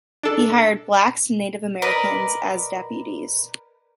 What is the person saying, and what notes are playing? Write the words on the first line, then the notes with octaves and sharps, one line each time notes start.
He hired blacks and Native Americans as deputies.
D4 A4
A#4 B4 D5 D#5